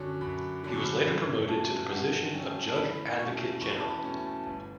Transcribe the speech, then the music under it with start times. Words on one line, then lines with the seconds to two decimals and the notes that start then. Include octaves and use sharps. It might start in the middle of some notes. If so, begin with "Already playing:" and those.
He was later promoted to the position of judge advocate general.
Already playing: F#2 D3 F#3 C#4
0.21 F#2 B5
0.63 D3 F#3 C#4 B5
0.74 C#6
0.84 B5
1.06 G2
1.48 F#3 A3 C#4 A5
1.91 G2 F#5
2.33 F#3 A3 C#4 G5
2.68 A5
2.75 E2 B5
3.18 B2 A3 C#4 C#6
3.61 E2 C#6
3.70 B5
3.79 A5
3.88 B5
4.03 B2 A3 C#4
4.46 G1